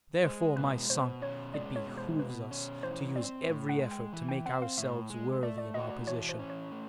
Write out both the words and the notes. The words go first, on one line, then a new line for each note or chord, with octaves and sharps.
Therefore, my son, it behooves us to use every effort to make ourselves worthy of our position.
G#3 C5
B2 B4
B2 C5
C#4 C#5
G#3 D5
C#5
B2
C5
B2 B4
C#4
E3 C5
C4 D5
A2
F#5
G#3
G5
E3
G5
C4 F#5
F5
A2 E5
G#3
A3 D5
D5
F#4 D#5
D5
E3 C#5
C5
C#4
C#5
A3